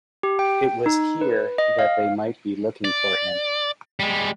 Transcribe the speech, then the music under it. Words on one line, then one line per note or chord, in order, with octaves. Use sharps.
It was here that they might be looking for him.
G4
G5
D#4
B4
D#5
F5
D5
G3 G#3